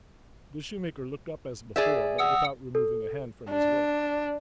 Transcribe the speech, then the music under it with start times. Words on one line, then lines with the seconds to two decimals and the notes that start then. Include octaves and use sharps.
The shoemaker looked up as before, but without removing a hand from his work.
1.76 G#4 D5 E5
2.19 F#5 D#6 E6
2.75 A4
3.50 D4